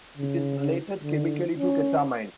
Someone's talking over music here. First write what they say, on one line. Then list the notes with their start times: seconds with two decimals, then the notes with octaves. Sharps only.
It is related chemically to ketamine.
0.18 C#3
1.03 D3
1.59 C#4